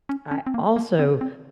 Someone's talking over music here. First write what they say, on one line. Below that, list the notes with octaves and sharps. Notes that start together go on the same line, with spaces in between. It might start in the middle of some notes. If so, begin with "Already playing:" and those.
I also
C#4
C#4
C4
A#3
A#3
C4
C4